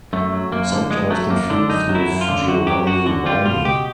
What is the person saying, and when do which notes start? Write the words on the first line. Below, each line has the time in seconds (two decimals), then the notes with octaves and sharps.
Sometimes confused with Giovanni Boni.
0.13 F#2 A3
0.33 F#3
0.52 F#2 A#3
0.72 D3
0.91 F#2 G#3
1.10 F#3 A3
1.30 F#2 A#3
1.50 D3 D4
1.69 F#2 D#4
1.89 F#3
1.95 E4
2.09 F#2
2.21 F4
2.28 D3
2.47 F#2 F#4
2.67 F#3 G4
2.87 F#2 F#4
3.06 D3 F#4
3.26 G3 F4
3.45 B2 F4
3.64 B2 G4